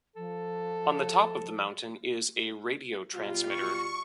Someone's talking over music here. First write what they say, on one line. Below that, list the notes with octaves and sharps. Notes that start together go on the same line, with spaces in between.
On the top of the mountain is a radio transmitter.
F3 A4
B2 G3 F4
C#6